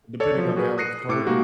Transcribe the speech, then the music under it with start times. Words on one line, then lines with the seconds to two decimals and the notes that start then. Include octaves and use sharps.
depending on how it's coded
0.20 A4 C#5 D5 C#7
0.35 F3 F#3
0.56 F#4 G#4 A#4 B4
0.78 D#6 F#6 A#6 C7 C#7 D#7
1.09 A2 D6 E6 C#7
1.26 G#3 A#3 D#4 F#4 G4